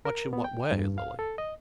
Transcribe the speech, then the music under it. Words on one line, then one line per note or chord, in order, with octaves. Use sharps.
"Much in what way, Lily?"
A#4
B3
G5
G2
F5
A4
D#5